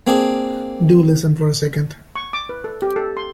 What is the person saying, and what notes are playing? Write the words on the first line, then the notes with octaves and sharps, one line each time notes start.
Do listen for a second.
A#3 C4 D4 G#4
C#6
D6
B4
A4
G4
A4
C6